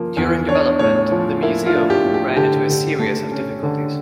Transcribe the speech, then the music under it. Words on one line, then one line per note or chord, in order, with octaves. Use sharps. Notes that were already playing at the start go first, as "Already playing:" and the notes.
During development, the museum ran into a series of difficulties.
Already playing: C#3 F3 A#3
E2
D4 C#5
A2 C#5
F3
A#3 E4
F4
D4
G4
A2
G4
D3 G4
D3
A3
C#4
D3